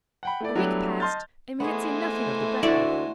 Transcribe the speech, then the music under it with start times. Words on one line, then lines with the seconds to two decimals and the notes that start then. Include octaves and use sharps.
A week passed, and we had seen nothing of the Breton.
0.23 F#5 G5 B5
0.40 A3 E4 D5
0.55 F#3 G3 A3 B3 D4 E4
1.00 D#5 A5 C6 F6 G6 A6
1.60 E3 G#3 A3 B3 C#4 G#4 C5
2.63 D2 A3 E4 F#4 D5